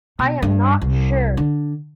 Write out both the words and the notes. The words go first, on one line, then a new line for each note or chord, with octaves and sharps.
I am not sure.
B2
G2
C2
D3